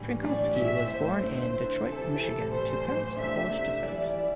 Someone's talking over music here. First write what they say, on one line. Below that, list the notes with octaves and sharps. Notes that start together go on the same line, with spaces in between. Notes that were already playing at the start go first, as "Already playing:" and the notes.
Frankowski was born in Detroit, Michigan to parents of Polish descent.
Already playing: A2 E3 G3 D4
A2 E3 G3 D4 D5
A2 A3 E4 E5
A2 A3 E4 C5
D3 C4 E4
D3 C4 E4
C3 E3 C4 E4 A4
C3 E3 C4 E4 A4
A2 E3 G3 C5
A2 E3 G3
C3 A3 D4 E5
C3 A3 D4 E5
E3 G3 E4 D5
E3 G3 E4